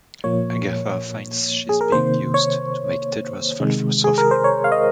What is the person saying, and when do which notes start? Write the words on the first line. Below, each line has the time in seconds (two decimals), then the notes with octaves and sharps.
Agatha finds she is being used to make Tedros fall for Sophie.
0.24 A#2 F3 A#3 C#5
1.69 G#4
1.81 A#4
1.92 C3 D#3 A#3 C5
2.34 C#5
3.60 C3 D#3 G#3
4.04 G#4
4.18 A#4
4.31 C5
4.44 C#5
4.64 F5
4.72 D#5